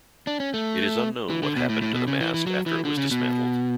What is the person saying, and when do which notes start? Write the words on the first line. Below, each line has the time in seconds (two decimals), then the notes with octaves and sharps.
It is unknown what happened to the mast after it was dismantled.
0.27 D4
0.40 C#4
0.54 A3
1.30 E3
1.43 D3
1.56 B2
1.69 A2
1.82 A2
1.94 B2
2.07 C#3
2.21 E3
2.34 E3
2.47 F#3
2.66 E3
2.85 D3
2.97 C#3
3.11 B2